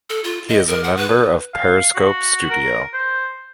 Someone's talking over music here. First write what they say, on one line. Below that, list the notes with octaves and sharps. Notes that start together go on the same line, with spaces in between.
He is a member of Periscope Studio.
A4
F4
D#5
A#4
F#5
B4
F5
F#4
A#4
C5